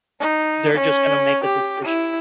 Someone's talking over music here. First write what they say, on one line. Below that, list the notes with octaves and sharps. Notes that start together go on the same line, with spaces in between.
They're just gona make a decision
D#4
C#4
G4
E4